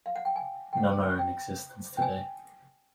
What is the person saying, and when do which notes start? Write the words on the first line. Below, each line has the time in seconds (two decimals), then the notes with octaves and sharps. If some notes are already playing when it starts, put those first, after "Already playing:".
None are in existence today.
0.06 F5
0.16 F#5
0.25 G5
0.36 G#5
0.73 G5
0.77 F#5
1.19 G5
1.97 G5
2.02 G#5